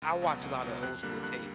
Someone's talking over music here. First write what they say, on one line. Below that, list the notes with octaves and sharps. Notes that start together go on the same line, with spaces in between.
I watch a lotta old school tape.
C#2
B2 F#3 B3
C#2
B2 F#3 B3
F2 F#6
D3 G3 A#3 F#6
F2 F#6